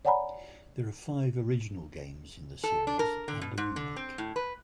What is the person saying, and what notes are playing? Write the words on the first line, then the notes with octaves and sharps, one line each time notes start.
There are five original games in the series, and a remake.
C#5 D5 F#5 G#5 A#5 B5
A4
D4
A#4
D3
B2
G#2
D3
C4
A2
B4